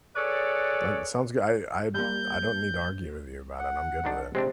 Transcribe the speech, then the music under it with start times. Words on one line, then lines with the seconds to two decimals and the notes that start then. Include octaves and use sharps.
That sounds goo I I I don't need to argue with you about it, I'm good with it.
0.16 G#4 A4 B4 C#5 D5
1.94 G3 A#3 G6
3.59 F#5
4.04 G#2 D#3 D4
4.35 C3 G#3 C4 D4